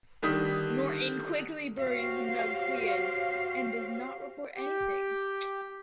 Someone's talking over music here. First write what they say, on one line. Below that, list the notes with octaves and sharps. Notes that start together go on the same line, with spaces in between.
Norton quickly buries Melquiades and does not report anything.
D3 D#3 G3 D#6 B6
F#4 G4 C5 C#5 F5
G4